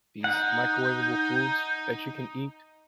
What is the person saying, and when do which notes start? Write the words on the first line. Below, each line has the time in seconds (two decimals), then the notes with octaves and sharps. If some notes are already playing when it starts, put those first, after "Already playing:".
these microwavable foods that you can eat.
0.24 D#4 F#5 G6